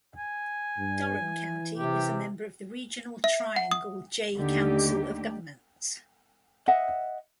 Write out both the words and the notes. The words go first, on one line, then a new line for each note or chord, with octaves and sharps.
Durham County is a member of the regional Triangle J Council of Governments.
G#5
G2
E3
C3 G4
E5
F#5
D#6
D#2 D3 A3 D#4 G4
D#5 E5 F#5